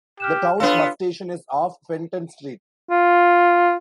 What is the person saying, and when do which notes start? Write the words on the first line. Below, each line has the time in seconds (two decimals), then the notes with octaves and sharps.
The town's bus station is off Fenton Street.
0.20 G4 F6 F#6 E7
0.60 B3 D4 F4 A4 C#5 F5
2.91 F4